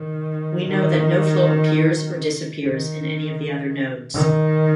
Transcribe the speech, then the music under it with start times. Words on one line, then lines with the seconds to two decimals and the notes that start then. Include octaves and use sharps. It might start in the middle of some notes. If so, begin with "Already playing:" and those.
We know that no flow appears or disappears in any of the other nodes.
Already playing: D#3
0.68 D#3
2.66 D#3
4.14 D#3